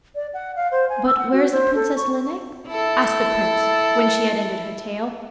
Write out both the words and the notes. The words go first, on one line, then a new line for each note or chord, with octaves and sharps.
'But where is the Princess Lineik?' asked the prince when she had ended her tale.
D5
F#5
F5
C5
G#5
E6
F#5
F#4
C5
A4
C#6
E4 A4